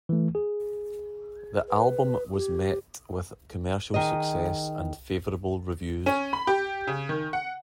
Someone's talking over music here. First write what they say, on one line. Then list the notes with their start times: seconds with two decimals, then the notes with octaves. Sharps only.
The album was met with commercial success and favorable reviews.
0.09 E3 A3
0.35 G#4
1.68 B4
2.33 G4
3.94 D#3 G#4 D#5
6.06 C#4
6.33 B5
6.47 G4
6.87 C#3
7.09 D#3
7.33 F#5